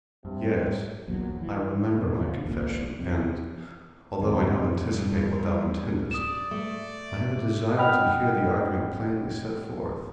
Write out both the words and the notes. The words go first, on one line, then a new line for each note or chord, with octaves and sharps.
'Yes; I remember my confession, and, although I now anticipate what thou intendest, I have a desire to hear the argument plainly set forth.'
G2 C3
D#1 A#1 E2 F#3
E3
B2
C#3 F3
G#1 A#2
F2 C3
D#2 C3
G2
D5 D#6 E7
A3
D#5 F#5 G5 B5 F6